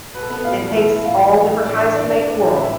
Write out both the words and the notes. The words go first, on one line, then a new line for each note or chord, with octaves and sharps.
it it takes all different kinds to make a world.
B2 B4
A4
B3 B4
A2 F4 F5
E3
B2 E4 E5
A2 F4 F5
E3
A2
E3
A2 D4 D5
E3
B2 D4 D5
D4 D5
A2
E3
A2 E4 E5